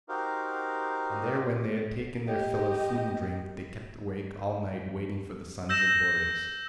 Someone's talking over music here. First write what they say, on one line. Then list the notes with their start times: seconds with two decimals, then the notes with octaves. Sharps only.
And there, when they had taken their fill of food and drink, they kept awake all night waiting for the sons of Boreas.
0.09 D#4 F#4 G4 A#4 C5 F5
2.28 G4 D#5
5.69 E6 G6 A#6 E7